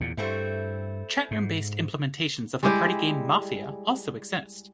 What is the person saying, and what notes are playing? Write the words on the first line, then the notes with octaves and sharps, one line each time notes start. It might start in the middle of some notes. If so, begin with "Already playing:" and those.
Chatroom-based implementations of the party game "Mafia" also exist.
E2 A#2
G2 A3 C4 E4
G#2
G3 G#3 E4 G4